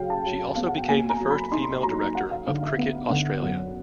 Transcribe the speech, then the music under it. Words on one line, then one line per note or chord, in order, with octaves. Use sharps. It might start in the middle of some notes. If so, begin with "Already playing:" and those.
She also became the first female director of Cricket Australia.
Already playing: C#3 F#3 F5 G5
A5
F#3
B3 F5
F#5
G5
A#3 G#5
A#5
F#3
B5
D#4 C6
F#3 A#5
F#3 F#5
F5
D3 F5
E5
B3
D3 F#5
F#2